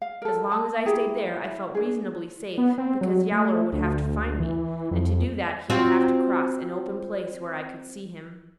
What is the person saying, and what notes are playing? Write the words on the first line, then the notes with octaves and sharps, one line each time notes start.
As long as I stayed there I felt reasonably safe, because Yowler would have to find me, and to do that he would have to cross an open place where I could see him.
F5
A4 A#4
A5
E4 G4 G#4 A#5
E4
D4 G#4
B3
C4
F#3
A3
D2
E3
F2
C4 F4 F#4